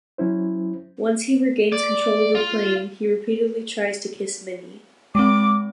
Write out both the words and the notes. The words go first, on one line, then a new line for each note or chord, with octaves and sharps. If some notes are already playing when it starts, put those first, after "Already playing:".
Once he regains control of the plane, he repeatedly tries to kiss Minnie.
F#3 C#4 E4 C5
D5
F4
G#3 C4 D6